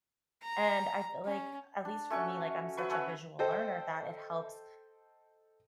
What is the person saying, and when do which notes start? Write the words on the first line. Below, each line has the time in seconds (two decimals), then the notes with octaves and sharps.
And I feel like, a at least for me, like I'm such a visual learner, that it helps,
0.43 A#5
1.25 C#4
1.85 D4
2.10 A3 C#4 F#4 C#6
2.77 F#3 B4 C#6
2.90 A3 C#4 F#5
3.39 A4 C5 D#5 G5